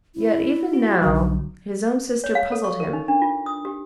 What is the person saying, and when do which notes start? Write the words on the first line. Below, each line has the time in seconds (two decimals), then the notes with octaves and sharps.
Yet even now, his own sister puzzled him.
0.15 E4
0.73 F#4
1.02 B1 D3 F#3 F5
1.14 D#4
2.24 C#5
2.35 F5
2.52 A4
2.64 C#6
2.80 A#4
2.93 D#4
3.08 D4
3.22 F4
3.46 D#6
3.65 G4